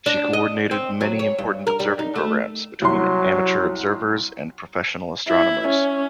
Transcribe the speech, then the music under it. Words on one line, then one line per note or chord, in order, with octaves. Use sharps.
She coordinated many important observing programs between amateur observers and professional astronomers.
D4
D#5
C4
F#3
C#5
G2
A#4
G3
D#4
A3
C2 F#3 C6
E4
C#4